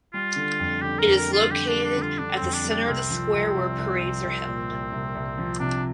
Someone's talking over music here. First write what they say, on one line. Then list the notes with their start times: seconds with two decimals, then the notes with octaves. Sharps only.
It is located at the center of the Square where parades are held.
0.14 G3 F4
0.36 D3
0.60 F2
0.82 D3 G4
0.99 A#4
1.05 F2
1.16 A#4
1.28 G3 F4
1.51 D3 G4
1.68 D4
1.74 G3
1.84 D4
1.96 D3
2.02 F4
2.18 D3 D4
2.36 C4
2.41 F2
2.53 D4
2.64 G3
2.69 D4
2.87 C2 C4
3.10 F3
3.33 C2
3.55 C2
3.78 C2
4.01 C2
4.23 C2
4.46 A#2
4.69 C2
4.92 C2
5.15 C2
5.38 F3
5.59 C3 D4